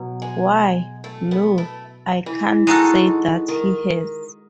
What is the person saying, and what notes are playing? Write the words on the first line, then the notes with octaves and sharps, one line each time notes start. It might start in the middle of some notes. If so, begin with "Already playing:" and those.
Why, no, I can't say that he has.
Already playing: B2 F#3
G#3
A3
B3
A3
E3
G#3 D#4 F#4 A4
D#3